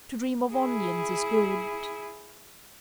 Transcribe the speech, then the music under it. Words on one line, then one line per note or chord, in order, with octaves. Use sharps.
To dream of onions is good.
E4 G#4